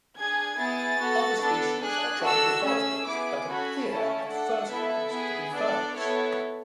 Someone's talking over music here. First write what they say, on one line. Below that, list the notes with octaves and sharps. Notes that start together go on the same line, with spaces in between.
Other species are tropical forest plants that appear at first glance to be ferns.
D4 G#4 G#6
B3 E4 G#4 A6
B3 F#4 A4
B3 D4 A4
D4 G#4 F#6
D4 F#4 A4 E6
A3 C#4 G#4 E6
B3 E4 G#4 D6
C#4 F#4 A4 B5
A3 C#4 E4 A4 A5
D4 A4 F#5
B3 E4 A4 E5
B3 E4 G#4
B3 D4 A4 D5
B3 E4 A4 C#5